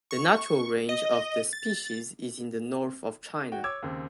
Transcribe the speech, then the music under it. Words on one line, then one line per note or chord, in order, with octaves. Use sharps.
The natural range of the species is in the north of China.
C#6
D#5
A6
F#4 G5
C#5 D6 E6 G#6
D#2 C#3 C4